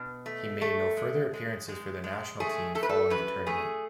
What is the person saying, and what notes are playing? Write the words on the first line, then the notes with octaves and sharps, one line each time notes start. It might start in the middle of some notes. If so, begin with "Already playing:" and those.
He made no further appearances for the national team following the tournament.
Already playing: B2
A3
A3
G#3
G#3
G#3
G#3
A3 G#4
A3 A4
B4
A4
F#2 B4
A3 G#4